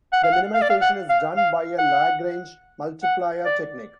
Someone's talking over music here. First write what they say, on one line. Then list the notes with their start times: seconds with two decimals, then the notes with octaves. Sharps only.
The minimization is done by a Lagrange multiplier technique.
0.13 F#5
0.23 F5
0.33 F#5
0.54 F5
0.62 D5
0.70 F5
0.81 F#5
1.10 F5
1.37 F5
1.79 F#5
3.03 F#5
3.45 D5